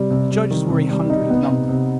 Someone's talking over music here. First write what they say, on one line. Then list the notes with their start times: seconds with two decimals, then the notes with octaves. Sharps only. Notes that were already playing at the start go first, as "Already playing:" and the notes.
The judges were a hundred in number.
Already playing: C3 G3
0.11 C3
0.31 G3
0.51 D#3
0.70 C3
0.90 G3
1.10 D#4
1.30 B3
1.49 C3
1.69 C3